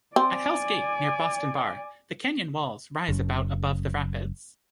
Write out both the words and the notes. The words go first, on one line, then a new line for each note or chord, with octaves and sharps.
At Hells Gate, near Boston Bar, the canyon walls rise about above the rapids.
C4 D5 G#5
F#1 F#2